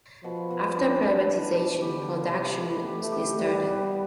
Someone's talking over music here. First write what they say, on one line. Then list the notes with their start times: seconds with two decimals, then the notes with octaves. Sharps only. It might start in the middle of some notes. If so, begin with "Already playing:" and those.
After privatisation, production restarted.
0.24 B2 F3
0.51 B2
0.77 D4
1.03 B3
1.29 B3
1.42 E3
1.55 B2
1.81 D3 G4
2.08 B3
2.21 C3
2.34 G4
2.60 A3 B3
2.86 G4
2.99 A3
3.12 G4
3.38 G3 B3
3.65 B3